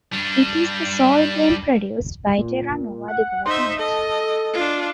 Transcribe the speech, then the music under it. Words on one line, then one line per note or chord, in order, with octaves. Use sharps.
It is the sole game produced by Terra Nova Development.
G3 D4
A#2
F#5
D#4 C5 E5
A4 D#5
D4 F4